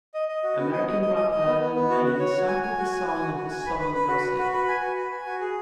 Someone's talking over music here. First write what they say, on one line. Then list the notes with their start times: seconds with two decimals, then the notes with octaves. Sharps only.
American rapper Lil Wayne sampled the song on his song Gossip.
0.14 D#5
0.29 D#5
0.44 F#4
0.57 B3
0.73 D#5
0.87 D#5
1.02 D#5
1.16 D#5
1.31 D#5
1.46 B3
1.60 B3
1.75 B3
1.90 F#4
2.04 F#4
2.19 C#5
2.33 F#4
2.48 G#5
2.63 G#5
2.78 F#4
2.92 G#5
3.07 G#5
3.22 F#4
3.36 F#4
3.51 G#5
3.65 B4
3.79 B4
3.94 B4
4.09 F#4
4.24 B4
4.38 F#4
4.53 B4
4.68 G#5
4.82 F#4
4.97 B4
5.12 G#5
5.26 F#4
5.41 G#4